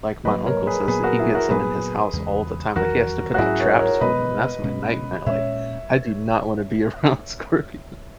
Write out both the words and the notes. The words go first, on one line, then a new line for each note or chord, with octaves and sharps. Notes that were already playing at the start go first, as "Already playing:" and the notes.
like, my uncle says that he gets 'em in his house all the time, like, he has to put out traps for them, and that's my nightmare, like, I do not want to be around scorpion.
G#2 F#3 A#3 B4 D#5
A#4 C#5
G#4 B4
A#2 F#3 B3 G#4 B4
F#4 A#4
E4 G#4
F#4 A#4
A#2 F#3 B3 G#4 B4
E2 C#3 G#3
E2 D#3 F#3 F#4 A#4
F#4
G#2 F#3 C#4 E4 G#4
A#4 C#5
A#4 C#5
B2 G#3 B3 B4 D#5
B2 G#3 C#4
A#2 G#3 C#4 C#5 E5